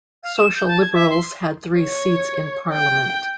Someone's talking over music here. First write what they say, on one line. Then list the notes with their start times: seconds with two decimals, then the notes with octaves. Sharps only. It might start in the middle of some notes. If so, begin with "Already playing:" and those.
Social-liberals had three seats in Parliament.
0.23 F5
0.37 E7
0.56 G6
0.68 A5
0.81 G#6
0.94 E5
1.10 C6
1.80 C#5
2.73 G5